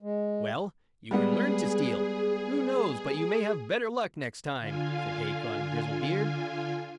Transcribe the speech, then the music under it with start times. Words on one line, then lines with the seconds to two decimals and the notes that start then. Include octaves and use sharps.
'Well, you can learn to steal; who knows but you may have better luck next time', said Hacon Grizzlebeard.
0.02 G#3
1.11 G3 G#3 B3 G#4
4.59 D3 F4 F5 G#5